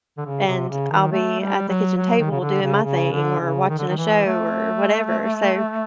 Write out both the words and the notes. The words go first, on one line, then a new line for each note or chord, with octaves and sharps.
and I'll be at the kitchen table doing my thing or watching a show or whatever, so
D3
C#3
C3
C#3
D#3
A3
G3
F#3
F#3
D#3
C#3
D3
C#3
C#3
D3
C#3
D#3
D3
D#3
E3
A3